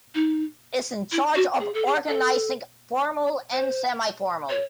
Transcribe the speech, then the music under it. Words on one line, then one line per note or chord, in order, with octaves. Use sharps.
Is in charge of organizing formal and semi-formal.
D#4
E4
F#4
G#4
A4
G#4
A4
C5
C#5